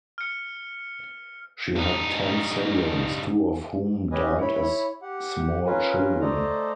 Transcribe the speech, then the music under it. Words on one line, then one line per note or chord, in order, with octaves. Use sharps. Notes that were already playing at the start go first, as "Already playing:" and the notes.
She had ten siblings, two of whom died as small children.
F6 C#7
G2 D#4
C#4 G4 B4 D#5 G#5
E4 C#5 B5
G4 F#5
C#4 F4 A#4 B4
A3 A4 C5 D5 D#5 A#5